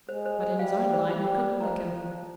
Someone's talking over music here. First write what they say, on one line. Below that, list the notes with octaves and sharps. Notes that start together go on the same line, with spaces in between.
But in his own line you couldn't lick him.
G#3 C5
C5
C5
G3 F5
C5
C5
G3 C5
C5
C5
F3 A#5
C5
C5
C5